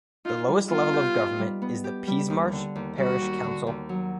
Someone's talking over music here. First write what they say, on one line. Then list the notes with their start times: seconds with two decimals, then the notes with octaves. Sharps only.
The lowest level of government is the Peasmarsh parish council.
0.25 D#4 F4
0.48 G3
0.70 B3 F4
0.93 G4
1.16 D#4
1.39 G3
1.62 B3
1.84 G4
2.07 G3
2.30 D#2
2.52 D3
2.76 D#2
2.98 G3 F#4
3.21 D#2
3.44 D3
3.67 D#2
3.89 F#3